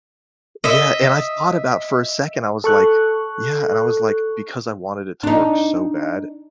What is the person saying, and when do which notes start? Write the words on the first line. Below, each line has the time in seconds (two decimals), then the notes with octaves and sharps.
Yeah, and I thought about, for a second, I was like Yeah. And I was like, because I wanted it to work so bad,
0.64 D#5 E5
2.64 A4 C#6 F#6
5.23 D4 D#4